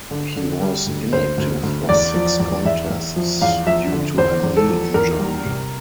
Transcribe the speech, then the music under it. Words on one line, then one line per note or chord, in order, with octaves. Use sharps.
He was inactive for six contests due to a knee injury.
D3
D3
G3
D2
D2 C5
D2
D2
E2 D5
F3
E2
E2 E5
E2
F3
E2 F5
F3 E5
D3
E2 C5
E2
A4
F3
E2 A#4
G3
C3